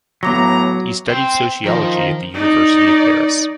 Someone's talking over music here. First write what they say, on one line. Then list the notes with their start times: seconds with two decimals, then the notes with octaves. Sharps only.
He studied sociology at the University of Paris.
0.23 A2 F#3 B3 A#5 D6 A#6
1.09 C5 G5
1.65 D#3 F3 A#4
2.34 D#4 D5